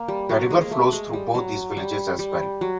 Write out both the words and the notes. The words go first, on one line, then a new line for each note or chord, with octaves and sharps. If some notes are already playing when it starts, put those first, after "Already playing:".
The river flows through both these villages as well.
Already playing: A#3
G3
F#3
G#3
A#3
A3
G#3
G3
F#3
G3
G3
F#3